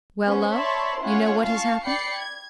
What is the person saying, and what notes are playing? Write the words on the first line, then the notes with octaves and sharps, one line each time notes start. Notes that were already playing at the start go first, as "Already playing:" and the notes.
"Well, love--you know what has happened?"
B3 C#4 C5
C#5 D5 E5 A5 B5 C6
C#4 E4 F4 C#5 F#5
F5 A5 C#6
D5 G5 B5 C7 C#7
G#6